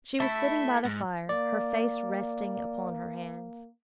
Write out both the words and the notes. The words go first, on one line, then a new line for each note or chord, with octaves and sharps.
She was sitting by the fire, her face resting upon her hands.
A3 E4 E5
G#2
A#3 D5